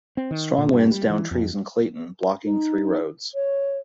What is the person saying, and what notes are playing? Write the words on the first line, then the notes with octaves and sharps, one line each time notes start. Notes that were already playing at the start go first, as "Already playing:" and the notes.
Strong winds downed trees in Clayton, blocking three roads.
C4
D#3
A#2
G2
G3
E3
F2
D#4
C#5